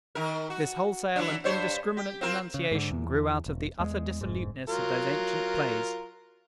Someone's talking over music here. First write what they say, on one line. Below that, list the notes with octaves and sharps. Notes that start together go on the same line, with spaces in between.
This wholesale and indiscriminate denunciation grew out of the utter dissoluteness of those ancient plays.
D#3 A#4
F#4
E3 F#3 D4
G2 C5 C#5
G4
C4 F4 A#4
C#3
G#2 D3
E2
E1
E2 G#3
F1 G#2
F#3 F4 A#4